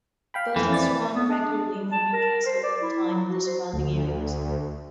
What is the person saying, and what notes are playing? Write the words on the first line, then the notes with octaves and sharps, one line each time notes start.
Buses run regularly from Newcastle upon Tyne and the surrounding areas.
F5 G5 B5
F2 E3 A3 E4
C4 D5 A6
B3
D4
G3
A5
A#4
C5
D5
E4
F#3
F#4
C5
D2